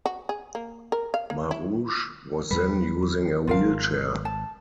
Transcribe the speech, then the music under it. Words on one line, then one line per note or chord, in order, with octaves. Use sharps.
Maruge was then using a wheelchair.
F#4
G#4
A#3
A#4
F5
A#3
E4
E2 G3 B4
G#1 F4 A#4 F5
A5